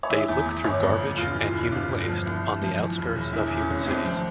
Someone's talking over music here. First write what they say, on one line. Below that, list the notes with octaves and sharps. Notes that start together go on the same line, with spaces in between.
They look through garbage and human waste on the outskirts of human cities.
C#5
E3 E5
E2
E2
G1 C#5
F2
G1
E1 F4
E3
E1
G1 F4
G1
F3
C2
C2
F3
E3
E1
E1
E2 E4
E2
C#4
F1
C#4
C2 C4
F3 C4